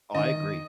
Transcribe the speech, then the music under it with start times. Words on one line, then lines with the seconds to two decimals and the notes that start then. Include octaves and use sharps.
Oh, I agree.
0.14 D#3 D#5